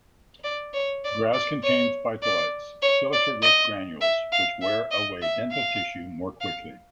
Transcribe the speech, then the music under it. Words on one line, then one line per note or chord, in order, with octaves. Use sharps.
Grass contains phytoliths, silica-rich granules, which wear away dental tissue more quickly.
D5
C#5
D5
D5
C#5
D5
C#5
D5
D#5
E5
F5
E5
D#5
E5
F5
F5